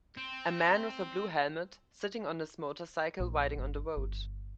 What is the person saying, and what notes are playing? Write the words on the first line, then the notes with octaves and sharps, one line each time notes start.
A man with a blue helmet sitting on his motorcycle riding on the road.
C4
A#1
G1
G1